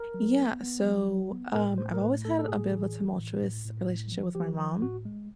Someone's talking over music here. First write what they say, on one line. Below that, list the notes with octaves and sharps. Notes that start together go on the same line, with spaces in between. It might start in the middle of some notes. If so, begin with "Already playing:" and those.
Yeah, so, um, I've always had a bit of a tumultuous relationship with my mom,
Already playing: A#4
F#3
B3
B3
F#3
F#3
B3
A2 A#4
A3 C5
A#4
A2 B4
A3 A4
A4
A2 G#4
E3
E3
A2
A2
A2
A2
F3
F3 G4
F3
A2 F#4
G#3